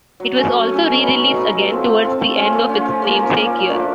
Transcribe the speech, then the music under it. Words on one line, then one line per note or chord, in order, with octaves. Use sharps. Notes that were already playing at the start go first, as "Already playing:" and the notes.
It was also re-released again towards the end of its namesake year.
F#3
A3 C#4
F#3
A3 C#4
B2
F#3 B3 D#4
B2
F#3 B3 D#4
A3
C4 F4 A4
A3
C4 F4 A4
A3
C#4 F4
A3
C#4 F4
F3
A#3 C#4
F3
A#3 C#4
A#2
F3 A3 D4